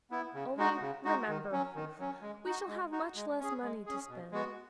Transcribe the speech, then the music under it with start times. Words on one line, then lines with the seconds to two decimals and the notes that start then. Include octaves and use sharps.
Only remember, we shall have much less money to spend.'
0.11 B3 E4
0.34 C#3
0.57 G#3 D#4 F#4
0.81 C#3
1.05 G#3 D#4 F#4
1.28 D#3
1.52 F#3 C#4
1.75 D#3
1.98 F#3 C#4
2.21 G#3
2.45 D#4 F#4
2.68 G#3
2.92 D#4 F#4
3.15 G#3
3.39 C#4 G#4
3.62 G#3
3.86 C#4 G#4
4.09 B2
4.32 G#3 B3 F#4